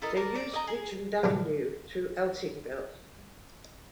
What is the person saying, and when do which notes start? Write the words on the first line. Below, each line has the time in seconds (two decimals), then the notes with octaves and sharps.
They use Richmond Avenue through Eltingville.
0.02 E4 A4 A#4 D#5
0.17 A#4 D5 A5
0.35 D5
0.53 D#5 A#5
0.67 G#4
1.23 A1 D3 F#3 D4